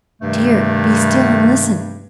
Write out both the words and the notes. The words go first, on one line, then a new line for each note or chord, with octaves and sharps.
"Dear, be still, and listen!"
G2 C3 D#3 G3 A3